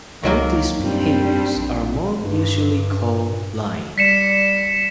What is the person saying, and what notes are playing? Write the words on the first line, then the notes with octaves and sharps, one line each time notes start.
All these behaviors are more usually called lying.
C#2 D#3 F#3 A#3
F#2 G3 C4 D4
A#1
G2
G3 B6 C#7 E7